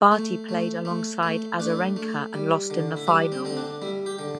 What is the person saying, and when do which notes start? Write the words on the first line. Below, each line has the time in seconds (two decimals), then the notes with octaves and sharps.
Barty played alongside Azarenka and lost in the final.
0.12 A3
0.49 A3
0.85 A3
1.23 A3
1.60 A3 D4
1.96 A3
2.34 G3
2.70 D3
2.97 E4
3.07 G3 D4
3.32 C4
3.45 D3 C4
3.57 D4
3.82 G3 E4
4.06 G4
4.19 D3